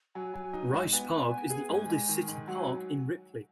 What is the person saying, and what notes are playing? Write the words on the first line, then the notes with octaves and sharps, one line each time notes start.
Rice Park is the oldest city park in Ripley.
F#3 G#5
F#3
D#4
G#2
B3 G#5
B3
B3
G#4
G#2
G#2
D#3
G#2
F#3 F#5
G#5